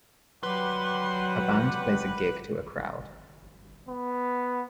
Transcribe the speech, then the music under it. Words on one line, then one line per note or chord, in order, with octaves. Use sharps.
A band plays a gig to a crowd.
F#3 G3 G4 B4 F#5 C6
B3